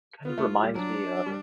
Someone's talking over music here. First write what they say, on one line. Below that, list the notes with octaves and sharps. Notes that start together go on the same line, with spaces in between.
It kind of reminds me of
B3 F4
A3
G3
F#3 D4
G3